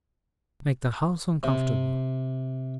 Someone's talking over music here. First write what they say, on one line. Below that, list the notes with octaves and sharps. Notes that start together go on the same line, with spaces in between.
I make the house uncomfortable.
C3